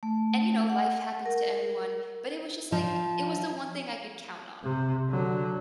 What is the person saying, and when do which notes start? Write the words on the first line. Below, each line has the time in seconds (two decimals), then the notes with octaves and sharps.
and you know life happens to everyone, but it was just, like, it was the one thing I could count on,
0.03 A3
0.70 F#5
1.26 A#4
2.72 F3
4.63 C3
5.09 D3 F#3